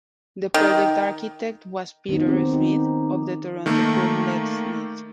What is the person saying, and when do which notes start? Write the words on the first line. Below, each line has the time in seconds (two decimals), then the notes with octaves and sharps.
The project architect was Peter Smith, of the Toronto firm Lett-Smith.
0.54 D#3
2.09 D#3 B3 C#4 D#4
2.26 C4 G4
2.53 D#4
3.66 D#3 A3 A#3